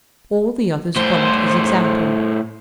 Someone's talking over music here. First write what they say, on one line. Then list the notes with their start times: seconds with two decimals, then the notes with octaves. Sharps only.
All the others followed his example.
0.96 A2 C5